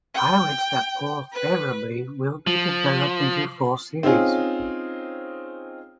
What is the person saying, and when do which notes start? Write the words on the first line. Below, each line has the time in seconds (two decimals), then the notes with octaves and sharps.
Pilots that poll favourably will be developed into full series.
0.15 G5
1.33 B4
2.47 F3
4.03 C4 C#4 D#4 F4 G#4